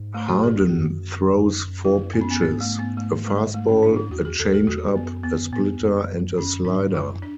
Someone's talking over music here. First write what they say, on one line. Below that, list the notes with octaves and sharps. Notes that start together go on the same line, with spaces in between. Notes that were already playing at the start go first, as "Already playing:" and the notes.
Harden throws four pitches, a fastball a changeup, a splitter, and a slider.
Already playing: G#2
A3
F#4
G#4
E2 F#4
F#2
E4
B3
C#4
B3
G#2 B3
A3
B3
A3
G#3
A3
C#4
D4
E4
E2 F#4
G#4
E2 A4
G#4
E2 F#4
G#2
F#2 B3
E2 B3
F#2
A2 B3
F#2
F#2
F#2 C#4
G#2 D4
F#2 E4
D4